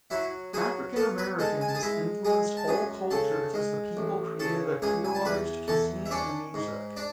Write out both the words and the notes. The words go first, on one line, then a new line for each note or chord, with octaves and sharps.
African Americans influenced all cultures as the people created a creolized cuisine and music.
F#3 E4 E5
F#3 G#4 G#5
B3 A4 A5
B4 B5
G#3 A4 A5
G#5
A5
G#4 G#5
G#3 E4 E5
G#3 G#4 G#5
A5
F#2 G#4 G#5
C#3 A4 A5
G#3
A1
C#3 A4 A5
C#2 G#4 G#5
G#5
A5
E2 B4 B5
E2 A4 A5
E5
C#4 D4 D5
G#2
D4 D5